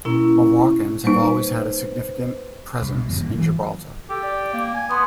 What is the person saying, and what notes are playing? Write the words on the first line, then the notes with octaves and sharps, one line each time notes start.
Moroccans have always had a significant presence in Gibraltar.
B2 A#3 C#4 E4
G3 A#3 D#4 B4 C5
C2
B2
F#1 E2 G#2 C3
G#1 G2 A#3
E3 F#3
G4 A4
D5
A#3
G#5
B3 C6 D#6